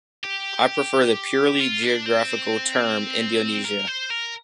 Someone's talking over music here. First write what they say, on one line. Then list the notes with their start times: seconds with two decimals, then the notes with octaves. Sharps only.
I prefer the purely geographical term Indonesia.
0.24 G4
1.60 F4
1.83 D4
2.06 C4
3.65 A#4
3.88 C5
4.10 A#4